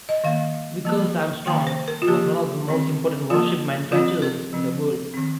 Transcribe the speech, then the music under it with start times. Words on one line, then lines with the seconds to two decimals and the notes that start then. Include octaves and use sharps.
Vickers-Armstrongs was one of the most important warship manufacturers in the world.
0.09 D#5
0.24 D#3 A#3 F5
0.85 F3 A#3
1.46 D#3 A#3 G5
1.67 C5
1.88 A#4
2.02 F4
2.07 F3 A#3 G4
2.69 D#3 C4
3.30 F3 A#3 F4
3.92 F3 C4 F4
4.22 A#4
4.53 F3 C4
5.14 D#3 C4